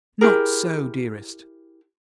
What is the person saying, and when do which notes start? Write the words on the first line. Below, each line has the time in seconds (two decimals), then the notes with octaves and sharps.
'Not so, dearest.
0.21 E4 G4 G#4 A#4